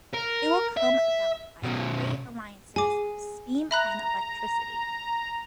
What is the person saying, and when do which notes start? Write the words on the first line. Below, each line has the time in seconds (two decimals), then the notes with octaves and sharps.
It will come about by the great alliances of steam and electricity.
0.14 A#4
0.77 E5
1.63 B2 C#4
2.76 G#4 G#5 D6
3.71 E5 A#5 B5 F#6